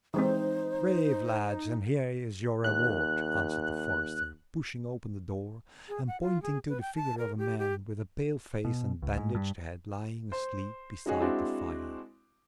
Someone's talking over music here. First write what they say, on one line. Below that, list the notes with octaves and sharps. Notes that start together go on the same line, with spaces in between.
"Brave lads! and here is your reward," answered the forester, pushing open the door and pointing to the figure of a man, with a pale face and bandaged head, lying asleep beside the fire.
E3 G#3 C4 D#4 C5
D#2 F#6
G#4
F#5
F4
G#4
B4
G5
A5
A#4
G4
G4
B2
C#2
G#2
G2
C5
G#3 C#4 D#4 F#4 G#4
G#3 C4 D4 E4 F#4